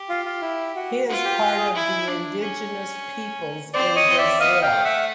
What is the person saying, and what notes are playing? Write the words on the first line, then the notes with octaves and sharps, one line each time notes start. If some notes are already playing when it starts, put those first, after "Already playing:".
He is part of the Indigenous peoples in Brazil.
Already playing: G4
F4
F4
E4
F#4
F4 F#4
G4
G4
G#4
E4
D4
C#4
C4 C5 D5
C#5 D#5
C4
D5 E5
B3 D#5 F5
F5 G5
A3
E5 F#5